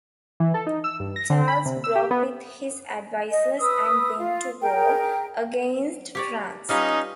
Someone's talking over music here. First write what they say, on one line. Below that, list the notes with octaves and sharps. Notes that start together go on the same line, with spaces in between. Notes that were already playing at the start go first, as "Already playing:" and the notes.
Charles broke with his advisors and went to war against France.
E3
A4
D#4
E6
G2
A#6
D3
B5
C3
E6
G4
B3
D#5
B4 D#6 E6
F4 F5
G#4 A#4 G5
G4 C#5 D5
G3 C#4 D#4 F4 B4